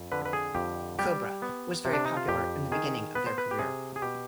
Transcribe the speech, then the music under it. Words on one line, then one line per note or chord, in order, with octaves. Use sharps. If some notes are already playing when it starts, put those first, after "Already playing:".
Cobra was very popular in the beginning of their career.
Already playing: F2
D3 B4
B4
G#4
F2 G4
G3 G4
B3
C3
D4
D#4
F4
F2 G4
D#3 G#4
B3 B4
C5
B4
G4
C3 G#4
G#4
B2 G4